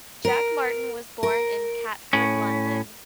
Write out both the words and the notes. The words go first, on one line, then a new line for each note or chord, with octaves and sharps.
Jack Martin was born in Catford, London.
A#4
A#4
A2 C#4